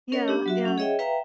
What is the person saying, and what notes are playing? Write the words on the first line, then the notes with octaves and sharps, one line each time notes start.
Yeah, and
C#4 A#4 C#5 D#5
B3 D4 G4
F#3 F#4 E5
C#4 F#5
G#4 C#5 D#5 E5 G5
B4 E5 F5 G5 A#5